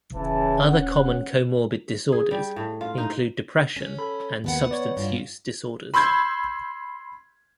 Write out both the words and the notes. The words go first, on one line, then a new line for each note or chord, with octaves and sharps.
Other common comorbid disorders include depression and substance use disorders.
D#1 C#3 E3 A5
C#4 F#5
G#4
G3
A2
F4
D#4
C#4
A4 B5
D#2 B2 B3 F#5
C#5 D5
G2 F4 F#4
B5 C6 E6 G6 G#6